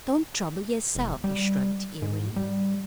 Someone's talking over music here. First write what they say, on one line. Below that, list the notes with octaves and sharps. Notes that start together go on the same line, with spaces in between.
"Don't trouble yerself," he shrugged airily.
E1
G3
G#2
G3